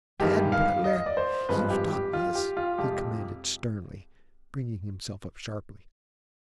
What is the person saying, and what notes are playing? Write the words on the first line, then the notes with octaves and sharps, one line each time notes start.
"Tad Butler, you stop this!" he commanded sternly, bringing himself up sharply.
G1 G2 D#3 G#3 G4
F5
D#5
D#5
D5
C5
G#1 G2 F3 G#3 B4
G4
G4
F4
G4
F4
F2 C3 F3 G#3 G4